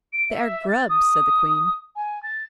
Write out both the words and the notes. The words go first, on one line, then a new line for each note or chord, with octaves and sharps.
"They are Grubs," said the Queen.
D7
E5
A6
D#6
G#5
A6